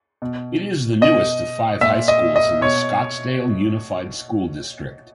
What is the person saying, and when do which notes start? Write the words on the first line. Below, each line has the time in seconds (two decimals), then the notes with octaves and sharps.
It is the newest of five high schools in the Scottsdale Unified School District.
0.22 B2
1.01 B2 D#5
1.81 A#2 E5
2.08 D#5
2.36 D#5
2.61 B2 C#5